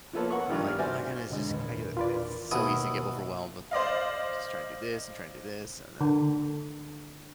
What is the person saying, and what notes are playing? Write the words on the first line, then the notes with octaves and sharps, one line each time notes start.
I'm like, "Oh my goodness." Just I get it's so easy to get overwhelmed with, like, just trying to do this and trying to do this and then,
F3 A#3 B3 A4 B4 C#5
A#4 F#5 C#6
G2 D#3 G3 D4 F4 G4
B3 F6
F#4 C5 D5 E5 G#5
B1 G#2 D3 G#3 D4
D#1 E2 A#2
F4 B4 D5
D#2 B2 E4 D#6
C5 D5 D#5 F5
D3